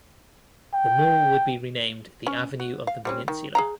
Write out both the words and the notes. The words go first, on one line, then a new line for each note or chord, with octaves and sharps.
The mall would be renamed The Avenue of the Peninsula.
G5
C#4
F#4
F5
G3 C4 C#4
D#3
G#4 F5 A#5